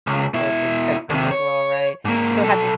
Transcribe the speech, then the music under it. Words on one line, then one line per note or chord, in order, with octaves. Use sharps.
It's it's cooked with as well, right? So have y
C#2
B2 E4
D#2 C3
C#5
G#2 A#3
B1 A4